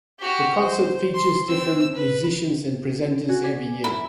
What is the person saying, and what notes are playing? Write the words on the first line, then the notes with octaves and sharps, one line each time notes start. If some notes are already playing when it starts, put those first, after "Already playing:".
The concert features different Musicians and presenters every year.
F#4 G4
C5
C6
C4 E6
B4
F#4 G#5
D5 G#5 B6
E4